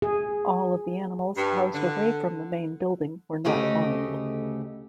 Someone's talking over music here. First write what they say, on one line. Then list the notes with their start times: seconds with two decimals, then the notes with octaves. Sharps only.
All of the animals housed away from the main building were not harmed.
0.02 G#4
1.37 G2
1.74 D3
3.45 D2 C#3 A3 G4 D#5